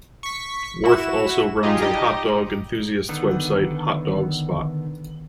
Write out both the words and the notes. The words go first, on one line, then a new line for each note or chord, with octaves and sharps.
Worth also runs a hot dog enthusiast's website "Hot Dog Spot".
C#6 B6
E4 F#4 E7
D#4 F4 G4 G#4 D#5
G3 D#4 G4 D#5
D3 D#3 B3